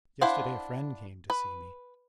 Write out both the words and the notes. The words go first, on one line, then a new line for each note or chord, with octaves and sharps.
Yesterday a friend came to see me.
D4 E4 C5 F5 F#5
B4